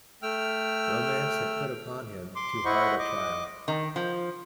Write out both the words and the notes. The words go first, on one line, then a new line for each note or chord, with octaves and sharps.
Romance had put upon him too hard a trial.
A3 G5 E6 F6
C6 D6
E4 C5 D#5 F#5 B5 C#6
D#5 D6
D#3
F3